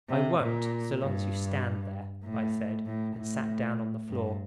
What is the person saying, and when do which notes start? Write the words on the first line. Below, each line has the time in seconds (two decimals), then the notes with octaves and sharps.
"I won't, so long as you stand there," I said, and sat down on the floor.
0.09 C3
0.40 A#2
1.01 G2
2.24 A2
2.86 A2
3.16 A2
4.09 G2